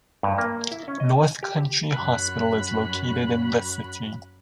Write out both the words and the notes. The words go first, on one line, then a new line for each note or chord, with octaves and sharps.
North Country Hospital is located in the city.
G2
A#3
E4
C#4
D#5
G#5
G4
F#2 F#4 B5 F#6